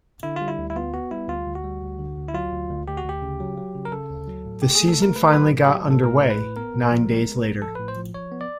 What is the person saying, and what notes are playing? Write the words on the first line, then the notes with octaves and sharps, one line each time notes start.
The season finally got underway nine days later.
D3 E4
G3 F4
E4
D2
E4
B3 F4
B3 F#4
G3 E4
D2 F4
D2
F#4
G3
D2
D3
D2
E4
F#3 F4
D2
D2
D2 G4
F#4
D2 G4
C#3
F#3
F#3
C#3
A#4
C#3 A4
D2
F#3
A2
A3 G4
A3 G#4
A4
A3 A#4
A3 B4
A#4
F#3 B4
A2
F#3 G4
A2 A4
A2 A#4
A2
B4
A2
B3 A#4
A2
F3
G#3
B3
A2
F3 A4
A2 B4
C5
F3
F3 C#5
B3
D5